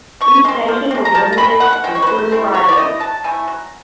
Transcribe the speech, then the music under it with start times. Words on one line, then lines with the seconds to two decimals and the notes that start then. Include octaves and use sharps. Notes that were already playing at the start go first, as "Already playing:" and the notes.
Each nation was limited to three riders.
0.21 F3 C#6
0.44 G#3 C4 C6
0.68 F3
0.91 G#3 C4
1.05 A#5
1.14 F3 A5
1.33 A#5
1.37 G#3 C4 B5
1.60 F3 F#5
1.73 F#5
1.84 G#3 C4 G5
1.95 C#5
2.02 B4
2.07 F#3 C5
2.31 A3 C4 E4
2.54 F#3 C#5
2.68 D5
2.76 A3 C4 E4 D#5
3.00 F#3 A5
3.24 A3 C4 E4 G#5
3.47 F#3